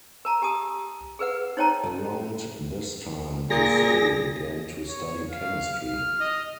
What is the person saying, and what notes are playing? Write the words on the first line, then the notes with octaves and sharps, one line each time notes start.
Around this time du Fay began to study chemistry.
A#4 A5 A#5
G4 G#5 A5 D#6
G#4 A#4 B4 F#5
D#4 C5 C#5 G5 A5 A#5
A#2 G#4 A#6
C#5
F5
F6
D#5